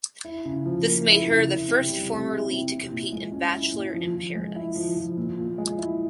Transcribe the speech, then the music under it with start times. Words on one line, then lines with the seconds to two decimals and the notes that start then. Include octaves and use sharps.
This made her the first former lead to compete in "Bachelor In Paradise".
0.25 E4
0.45 C#3
0.66 F3
0.86 A#3
1.07 E4
1.27 C#3
1.48 E4
1.68 C3
1.89 G3
2.09 C4
2.30 E4
2.50 C3
2.71 E4
2.91 A#2
3.12 G#3
3.32 C#4
3.53 E4
3.74 A#2
3.94 F3
4.14 F3
4.35 G#3
4.56 E4
4.76 F3
4.97 F3
5.17 A#2
5.38 A#2
5.58 G#3
5.78 E4